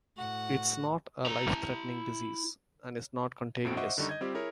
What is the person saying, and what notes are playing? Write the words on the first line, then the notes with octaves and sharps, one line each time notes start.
It is not a life-threatening disease and is not contagious.
A2 F#4 F#5
E4 A#5
F2 A2 C4 F#4 D7
C5 D#5 E5 F#5 C#6 D6
F#2 D3 D#3 G3 D#4 C#6
D#5 G6 G#6
G3 C4 F4 G4
E4 G#4 A#4 C#5